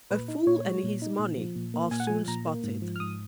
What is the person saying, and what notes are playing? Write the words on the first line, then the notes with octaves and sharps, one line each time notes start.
A fool and his money are soon spotted.
A#2 B4
D#4
A#2 C#5
G#3
A#2
D#4
A#2
F3
A#2
A#3
A#2 G#5
F#5
F3 G#5
A#2 A#5
A#3
G#2
F3
F6
G#2 D#6